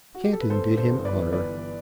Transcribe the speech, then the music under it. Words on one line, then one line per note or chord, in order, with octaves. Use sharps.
Canton did him honor.
F#4
G4
A4
B4
G1 A4 C5
G2
A4 C5
G1
B4 D5
E3
G1 B4 D5
E3